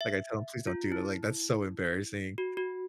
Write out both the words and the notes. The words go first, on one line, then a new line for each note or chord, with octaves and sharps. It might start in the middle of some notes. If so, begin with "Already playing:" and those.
Like, I tell him, "Please don't do that. Like, that's so embarrassing."
E5
F4
E4
F#4
F#4